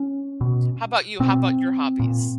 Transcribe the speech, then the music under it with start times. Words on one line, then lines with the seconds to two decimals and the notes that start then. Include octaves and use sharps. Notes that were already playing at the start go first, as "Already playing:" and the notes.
How 'bout you? How 'bout your hobbies?
Already playing: C#4
0.41 B2
1.20 B2 C4
2.00 A#2